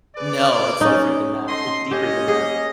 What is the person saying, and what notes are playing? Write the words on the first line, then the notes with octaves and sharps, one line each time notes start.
No, it's different than that, it's deeper than that.
G#4 B4 D5
C#4 D#4
A4 D#5 C6
A#3 C#4 G4 D#5
G#4